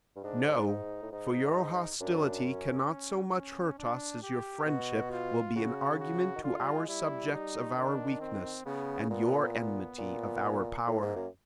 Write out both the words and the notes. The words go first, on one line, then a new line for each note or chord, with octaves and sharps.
No; for your hostility cannot so much hurt us as your friendship will be an argument to our subjects of our weakness, and your enmity of our power.
G2
G#2 D4
D#4
A2
G#2 D#4
F#2 D4
C#4
C#4
D4
G4
B2 F#4
F4
C#3 F#4
F#4
D#3
D3 F4
G3
G#3
G3 E4
D#4
D#3 D4
C4
C#3 B3
A#2 B3
B3
A#2
A2 A#3
G#2
F#2